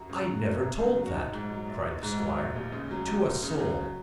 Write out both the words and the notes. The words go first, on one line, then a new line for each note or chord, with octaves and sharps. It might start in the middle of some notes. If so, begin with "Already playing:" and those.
"I never told that," cried the squire, "to a soul!"
Already playing: F#2 F#4
C#3
F#3
F#1
F#2
C#3
F#3
F#4
A#1 D#4
G#2
F#3
A#1
A#1
G#2
F#3
A#1
D#2
C#3
F#3
D#2
D#2
C#3
F#3